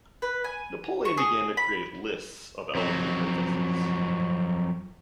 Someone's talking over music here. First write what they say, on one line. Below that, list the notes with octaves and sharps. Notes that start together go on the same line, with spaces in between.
Napoleon began to create lists of eligible princesses.
B4
G#5
C#6
G#4
B5
F2 F#3